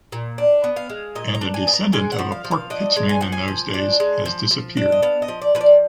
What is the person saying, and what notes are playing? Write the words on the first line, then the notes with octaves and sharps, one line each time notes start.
And a descendant of a pork pitchman in those days has disappeared.
A#2
D4
B3
F5
G#3
A#2 D#5
A#5
D4
G#5
B3
A#5
G#3 G#5
F#5
F3
F5
F3
F5
D4 D#5
G#3
G#5
F3 F#5
G#5
F3
D4
G#3
F3
F3
D4
D#5
B3 F5
D#5
F3
D5
F3 B4
D5